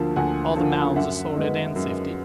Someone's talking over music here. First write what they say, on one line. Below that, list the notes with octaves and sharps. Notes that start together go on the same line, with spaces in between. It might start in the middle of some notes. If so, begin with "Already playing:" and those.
All the mounds are sorted and sifted?'
Already playing: D2 D3 F3 A#3 A5
D2 F#5 G#5
D3 F3 A#3
F#2 E5 F#5
D#3 G#3 B3
F#2